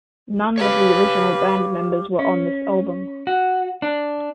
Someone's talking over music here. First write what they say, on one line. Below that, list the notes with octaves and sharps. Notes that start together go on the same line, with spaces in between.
None of the original band members were on this album.
G4 B4 C#5 F5
C#4
F#4
D4